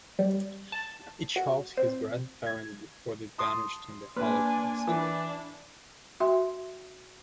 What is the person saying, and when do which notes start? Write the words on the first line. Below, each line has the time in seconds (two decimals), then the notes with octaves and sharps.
It shows his grandparents before they vanished in the Holocaust.
0.19 G3
0.72 A5
1.36 F#4
1.77 C4
2.47 G#6
3.38 A5 C6 D#6
4.16 A#3 D4 B4 G#5 C6 F6
4.87 E3 D4 E4
6.20 F#4 E5 G5 C6